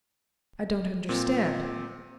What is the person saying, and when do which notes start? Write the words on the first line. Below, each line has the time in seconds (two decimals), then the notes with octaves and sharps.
"I don't understand."
1.09 A#2 C4